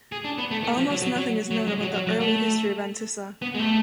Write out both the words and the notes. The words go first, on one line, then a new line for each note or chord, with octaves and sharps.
Almost nothing is known about the early history of Antissa.
G#4
D4
B3
A3
A3
F3
F#3
F#3
F#3
F#3
G#3
F#3
F#3
F#3
A3
B3
G#3
A3